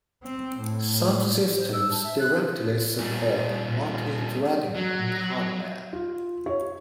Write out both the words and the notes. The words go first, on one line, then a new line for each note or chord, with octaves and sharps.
Some systems directly support multithreading in hardware.
C4
A2
C5
E6
A5
E5
F#6
A#2 G3
F#3
F4
C#5